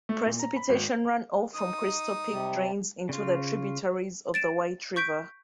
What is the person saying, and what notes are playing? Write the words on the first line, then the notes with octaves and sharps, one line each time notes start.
Precipitation runoff from Crystal Peak drains into tributaries of the White River.
A3
A#2
A#5
B5
G#1
D#4 D#6
C3 G3
C#3 F4
A6 D7 E7
C#6 G6 B6 D7